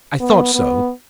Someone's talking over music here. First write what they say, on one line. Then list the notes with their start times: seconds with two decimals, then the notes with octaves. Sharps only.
I thought so.
0.20 B3
0.55 B3